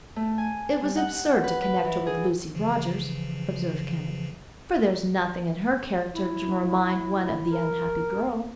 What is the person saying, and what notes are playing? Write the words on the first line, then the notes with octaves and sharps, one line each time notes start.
"It was absurd to connect her with Lucy Rogers," observed Kenneth, "for there is nothing in her character to remind one of the unhappy girl."
A3
G#5
G3
F#5
B4
B4
E3
G#4
C#3 E3 F3
E4
A#4